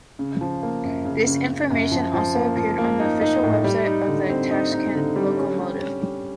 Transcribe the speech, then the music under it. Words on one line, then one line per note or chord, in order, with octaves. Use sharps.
This information also appeared on the official website of the Tashkent Lokomotiv.
C#3
F3
A#3
F#2
C#3
C#3
C#3
F#2
F3
F3
A#3
F3
A#3
D#4
D#4
A2
G3
D#4
D3
C4
D#4
D#4
D3
G3
C#4
G3
C#4
G3